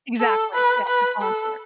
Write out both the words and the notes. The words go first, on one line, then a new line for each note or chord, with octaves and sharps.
Exactly, yes, it's voluntary,
A4
B4
B4
A4